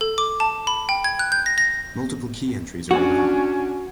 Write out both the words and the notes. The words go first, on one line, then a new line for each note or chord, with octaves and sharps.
Multiple key entries are allowed.
A4
D6
A5
B5
G5
G#6
F#6
G6
A#6
A#6
C#4 D4 F#4